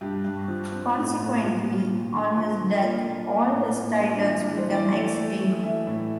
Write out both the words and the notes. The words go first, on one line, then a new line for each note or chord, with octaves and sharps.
Consequently, on his death all his titles became extinct.
G2 G4
G2
F3
C4
A2
A2
A#2 F4
A#2
A#2
D3
F3
D3
A#3 F4
A#2
A#3
A2
A#3
G3
D4
E3 E4
D4
E3
C5
E3
D5
A3 D5
A3
A3
E3 E5
A2